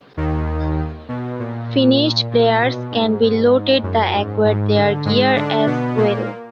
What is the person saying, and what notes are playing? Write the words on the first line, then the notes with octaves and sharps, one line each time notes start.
Finished players can be looted to acquire their gear as well.
D#2 D#3
B2
A#2
A#2
B2
G#2
G#2
F#2
G#2
G#2
D3
G#2 G#3
D3 D4
B2 B3
A#2 A#3